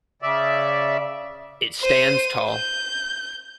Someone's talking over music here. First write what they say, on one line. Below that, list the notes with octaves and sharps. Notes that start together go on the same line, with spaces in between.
It stands tall.
C#3 D5 E5
C5 D#7
G6